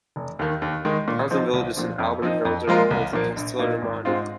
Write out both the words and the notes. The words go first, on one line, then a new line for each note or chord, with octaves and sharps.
The towns and villages in the Alban Hills are known as the Castelli Romani.
F1
D#2 D#3
D#2
D#3 G#3
A#2
F3 C4 D#4 C5
C2
A#2 F3 C4
F2
F3 C4 D#4
F2
F3 G#3 F4 A#4
C2
A#2 F3 A#3
A#1
A#2 A#3 D#4
G#1
G#2 G#3 C4 F4